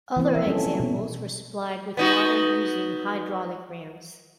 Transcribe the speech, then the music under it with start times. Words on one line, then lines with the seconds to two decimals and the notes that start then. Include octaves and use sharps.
Other examples were supplied with water using hydraulic rams.
0.17 E3 A#3 C4
0.35 F3 E5
0.47 G3 C#4 A4
0.66 F#3
0.80 B2
1.97 B3 D#4 F#4